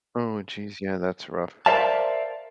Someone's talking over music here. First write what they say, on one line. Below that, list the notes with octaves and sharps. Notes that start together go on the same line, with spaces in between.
Oh, jeez, yeah, that's rough.
A#4 C5 D5 E5 F5 A5